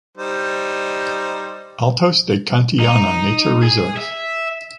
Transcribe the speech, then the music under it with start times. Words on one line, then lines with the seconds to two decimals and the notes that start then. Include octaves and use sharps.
Altos de Cantillana Nature Reserve.
0.18 G3 D#4 C5
2.80 D#4
3.63 G#4
3.97 E5